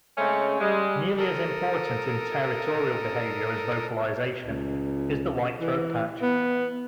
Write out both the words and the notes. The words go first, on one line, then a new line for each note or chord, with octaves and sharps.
Nearly as important in territorial behaviour as vocalization is the white throat patch.
C#3 G#3 A3 C4 C#4
G3 G#3
A4 A#4 D#6
C#2
E3
B3